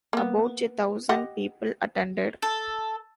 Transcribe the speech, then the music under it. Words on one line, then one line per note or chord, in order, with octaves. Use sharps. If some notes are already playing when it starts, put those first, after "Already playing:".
About a thousand people attended.
A#3 B3
G4 D#5 F#5
A4